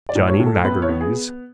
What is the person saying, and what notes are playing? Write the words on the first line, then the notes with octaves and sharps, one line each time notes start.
Johnny Magories.
D5
A2
C#5
A2
A4
B3 B4
C#5
B3
G#4